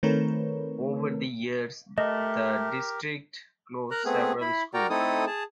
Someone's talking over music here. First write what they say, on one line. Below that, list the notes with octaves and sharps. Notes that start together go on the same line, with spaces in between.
Over the years, the district closed several schools.
D#3 A3 C4 A#4 B4 C#5
A3 G4 A#4 D#5
A#4 A#5 F#6
A3 B3 C4 G#4
E4 B5
F#4 A#4 D5 G5 A#5
A3 C4 D#4 E4 A4 D#6
G#4 A5